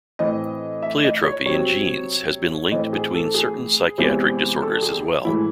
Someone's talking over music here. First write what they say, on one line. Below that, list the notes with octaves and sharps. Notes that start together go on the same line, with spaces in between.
Pleiotropy in genes has been linked between certain psychiatric disorders as well.
A2 E3 C4 D#5
E5
D#5
C#5
C3 F#3 C4 C#5
A2 E3 A3 C4 D#5
G#4
A4
G#4
E2 C3 E3 G#3 C4
A4
G#4
A2 E3 G#3 E4